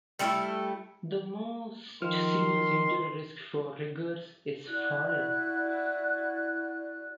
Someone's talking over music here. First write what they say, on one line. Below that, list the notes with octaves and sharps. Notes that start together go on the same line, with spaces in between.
The most serious injury risk for riggers is falling.
G3 A3 E4 A4
D#3 F3 C6 F6
E4 F#4 D5 F#6